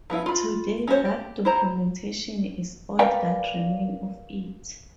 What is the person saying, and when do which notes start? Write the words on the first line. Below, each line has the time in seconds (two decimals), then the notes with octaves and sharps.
Today that documentation is all that remain of it.
0.10 F3 B3 E4 F5
0.26 F4 B5
0.87 C#4 F#4 G#4 C5 C#5
1.05 G4
1.45 E4 C5 A#5
2.99 A#4 B4 D5 F5 G5 G#5